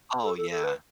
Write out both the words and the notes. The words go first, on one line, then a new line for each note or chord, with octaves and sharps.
Oh, yeah.
A4
A4
A4
B4